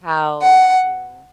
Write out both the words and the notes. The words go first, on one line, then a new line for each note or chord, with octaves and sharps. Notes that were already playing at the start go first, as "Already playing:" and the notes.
how to
F#5